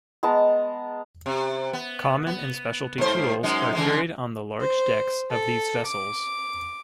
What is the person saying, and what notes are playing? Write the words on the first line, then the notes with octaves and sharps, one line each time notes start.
Common and specialty tools are carried on the large decks of these vessels.
G#3 B3 A5 A#5
C3
B3
B3
G#2 C5
F#2 G#3 D#4
C#3 E3 G#3
C5
A4
D6